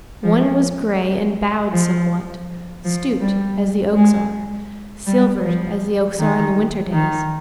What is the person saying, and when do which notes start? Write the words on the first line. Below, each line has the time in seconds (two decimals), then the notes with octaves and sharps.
One was gray and bowed somewhat, stooped as the oaks are, silvered as the oaks are in the winter days.
0.23 F3
1.72 F3
2.84 F3
3.20 G3
3.95 G#3
5.06 G3
5.43 F3
6.18 D#3
6.92 D#3